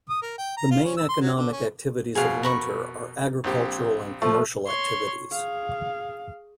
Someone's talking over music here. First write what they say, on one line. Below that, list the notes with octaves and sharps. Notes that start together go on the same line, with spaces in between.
The main economic activities of Linter are agricultural and commercial activities.
D#6
A#4
G5
A#5
F4
C#4
E6
C6
F#3
D3
C#4
F2 B2 G#4 F5
A#4 B5 C#6
A#1 C4 G4
F3 A3
C#5 C6
G#4 F5